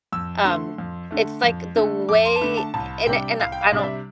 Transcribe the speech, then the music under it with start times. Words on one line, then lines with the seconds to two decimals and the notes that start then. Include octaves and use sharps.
um, it's, like, the way and and I don't
0.12 F2 E6
0.45 D3 A3 C6
0.78 F2
1.11 D3 A3
1.44 F2
1.76 D3 A3
2.09 F2 D6
2.25 C6
2.36 A5
2.41 D3 A3 B5
2.57 A5
2.74 C2 A5
3.07 C3 G3 D4 G5
3.40 C2 F5
3.52 G5
3.61 F5
3.72 C3 G3 D4
3.79 D5
3.83 E5